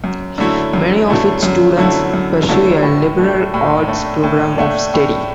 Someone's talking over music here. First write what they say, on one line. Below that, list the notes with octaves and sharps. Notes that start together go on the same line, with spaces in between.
Many of its students pursue a liberal arts program of study.
F#2
D3 F#3 A3 E4
F#2
D3 F#3 A3 E4
F#2
D3 F#3 A3 E4
F#2
D3 F#3 A3 E4
A2
A3 D4
A2
A3 D4
A2
A3 D4
A2